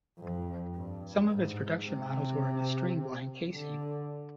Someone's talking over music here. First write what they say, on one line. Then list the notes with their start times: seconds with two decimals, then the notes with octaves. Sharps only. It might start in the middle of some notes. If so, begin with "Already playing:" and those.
Some of its production models were in a streamlined casing.
0.18 F2
0.75 G2
1.30 G#2
1.86 C3
3.53 D3